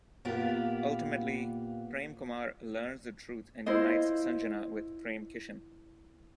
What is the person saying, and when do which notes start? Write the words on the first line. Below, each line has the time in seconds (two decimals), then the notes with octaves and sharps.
Ultimately, Prem Kumar learns the truth and unites Sanjana with Prem Kishen.
0.25 A#2 A#3 B3 F4 G4
3.66 E4 F4 C5 D#5